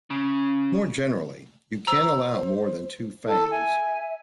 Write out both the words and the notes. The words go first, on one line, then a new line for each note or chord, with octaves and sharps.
More generally, you can allow more than two fangs.
C#3
C5 A#5 E6
E4 A4
E5 G#5